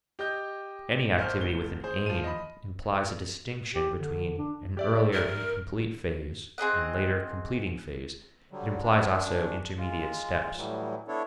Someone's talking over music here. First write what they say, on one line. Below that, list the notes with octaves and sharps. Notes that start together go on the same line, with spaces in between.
Any activity with an aim implies a distinction between an earlier incomplete phase and later completing phase; it implies also intermediate steps.
G4 D#5 G6
G#1 C5 G#5 F6
F1 G7
G#4 C5
F3 D#7
D#5 B5
G4
D3
D4
G4 D5 E5
A#4
C4 G#4 D#5 F#5
D3 F#3 G3
F#2 D4
G#3 F4
A2 E3 F#3 G3
B3 D4 E4 A4 C#5